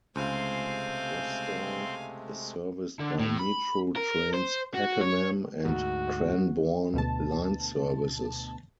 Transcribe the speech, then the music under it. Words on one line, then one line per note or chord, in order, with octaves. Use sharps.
Westall is serviced by Metro Trains Pakenham and Cranbourne line services.
C#2 C3 G#3 A3 C4 C5 F5 G#5
D3
A2
B5
A#4
C5
F#4
C#5
D2 G#2 F#4
D2 B2 A5